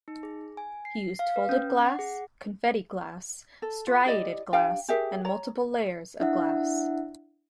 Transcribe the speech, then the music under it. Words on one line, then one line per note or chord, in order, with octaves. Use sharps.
He used folded glass, confetti glass, striated glass, and multiple layers of glass.
D#4
G#4
G#5
C7
F5
B4
C#4
F#5
G#4
A4
F4
E4 G4 D5 D#5
D4 G4 F5 G5
G4 G#4 A#4 E5
C#5 A#5
D4 E4 E5 F#5